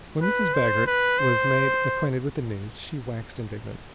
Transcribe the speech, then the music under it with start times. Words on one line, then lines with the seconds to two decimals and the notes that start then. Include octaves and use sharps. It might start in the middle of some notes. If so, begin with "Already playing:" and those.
When Mrs. Baggert was made acquainted with the news, she waxed indignant.
0.22 B4
0.54 C5
0.86 B4
1.19 C5